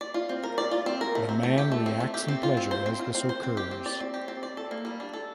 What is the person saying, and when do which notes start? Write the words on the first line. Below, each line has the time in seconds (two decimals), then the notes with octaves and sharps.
The man reacts in pleasure as this occurs.
0.01 D5
0.14 F4
0.29 C4
0.43 A#4
0.58 D5
0.71 F4
0.86 C4
1.01 A#4
1.15 A3
1.29 C4
1.43 A3
1.58 G4
1.72 A3
1.86 C4
2.00 A3
2.14 G4
2.28 C4
2.43 F4
2.57 C4
2.71 C5
2.86 C4
2.99 F4
3.15 C4
3.29 C5
3.43 C4
3.57 G4
3.71 C4
3.86 D5
4.00 C4
4.14 G4
4.28 C4
4.43 D5
4.57 A4
4.71 A#3
4.85 G3
5.00 D4
5.13 A4